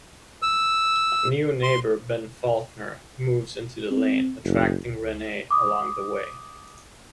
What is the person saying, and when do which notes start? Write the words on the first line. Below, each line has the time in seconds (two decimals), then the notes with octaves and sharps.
A new neighbor, Ben Faulkner, moves into the lane, attracting Renee along the way.
0.42 E6
1.63 C6
3.91 C4
4.44 F#1
5.51 D6 D#6